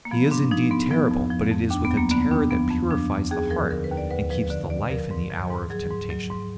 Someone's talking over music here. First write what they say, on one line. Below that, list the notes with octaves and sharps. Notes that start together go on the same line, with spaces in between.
He is indeed terrible, but it is with a terror that purifies the heart and keeps the life in the hour of temptation.
A#3
F3 B3
G#2 D4
F3 D#4
G#2 B3
F3 B3
F2
F3
F2
D#2 D4
B3
F#3
A#3
D3 B3
D#2 D4
F3 B3
F2
F3 D4
F2
D#2 G#4
F3 A#4
D3 A#4
B4
D#2
D5
D2 B4
F3 B4
D3 D5
D2 D5
F3 A#4
G#2
F3
G#2
F#3 G#4
G#2
F#3
G#2